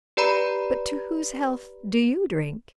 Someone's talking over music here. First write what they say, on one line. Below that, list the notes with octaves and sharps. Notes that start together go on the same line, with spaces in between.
But to whose health do you drink?'
G4 B4 D5 A#5 B5